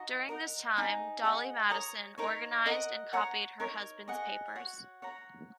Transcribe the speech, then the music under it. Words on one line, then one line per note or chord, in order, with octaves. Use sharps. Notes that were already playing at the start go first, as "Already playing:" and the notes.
During this time, Dolley Madison organized and copied her husband's papers.
Already playing: D#4 F#4 D#5
A#4 D#5 F#5
D#4 G#4
G#4 D#5 F#5
C#5 A#5 D#6
D#4 A#4 C#5
A#4 D#5 F#5 D#6
C#5 F#5 A#5
D#4 A#4 C#5
G#4 D#5 F#5
F#4 C#5 F#5
C#5 F#5 A#5